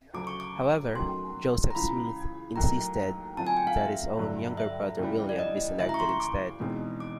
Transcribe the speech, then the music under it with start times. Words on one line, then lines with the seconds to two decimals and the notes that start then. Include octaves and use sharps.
However, Joseph Smith insisted that his own younger brother, William, be selected instead.
0.14 D2 C#3 F#3 A3 C#4 D6
0.27 C#6
0.40 D6
0.94 D#3 F#3 A3 C#4 F#4 C6
1.71 A#5
1.75 C#2 C#3 E3 B5
2.56 D#2 D#3 F#3 A3 A#5
3.37 D3 F#3 A3 C4 F4 A5
3.47 G#5
3.57 G5
3.67 F5
3.77 E5
4.17 G2 D3 F#3
4.57 E5
4.98 D#2 C#3 E3 G3
5.29 D5
5.39 D#5
5.79 D2 C#3 E3 E5
5.89 A#5
5.94 C#6
6.00 C6
6.09 C#6
6.20 D6
6.60 E2 B2 G#3 C4 D#4
7.00 D6